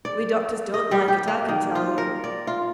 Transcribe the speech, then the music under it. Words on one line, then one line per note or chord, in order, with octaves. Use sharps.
We doctors don't like it, I can tell you!'
D5
D#5
G3
G4
A#3
D#3
F4
A#4
D5
F4